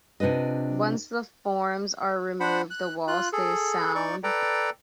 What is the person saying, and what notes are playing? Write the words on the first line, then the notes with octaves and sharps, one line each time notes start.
Once the forms are removed the wall stays sound.
C3 D4 F4 B4 D#5
D4 C5 F#5 B5
F#6
F4 F#6
G#4 A4
D#4 D5 C#6
A4 B4 D5 G5 A#5